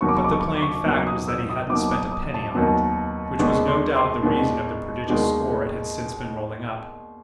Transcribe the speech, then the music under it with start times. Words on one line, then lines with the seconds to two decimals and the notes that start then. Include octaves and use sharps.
But the plain fact was that he hadn't spent a penny on it; which was no doubt the reason of the prodigious score it had since been rolling up.
0.01 D#2 D#3 F#3 B3 C#6
0.09 D6
0.17 C#6
0.24 D6
0.32 C#6
0.40 D6
0.47 C#6
0.55 D6
0.62 C#6
0.85 D#2 D#3 F#3 B3
1.07 D#6
1.28 E6
1.49 D#6
1.70 D#2 D#3 F#3 B3 D6
1.92 D#6
2.12 D#6
2.34 A5
2.55 D#2 D#3 F#3 B3
3.39 D#2 D#3 G#3 B3 D4 C#6
3.68 C6
3.96 C6
4.23 D#2 D#3 G#3 B3 D4
5.08 D#2 D#3 G#3 B3 D4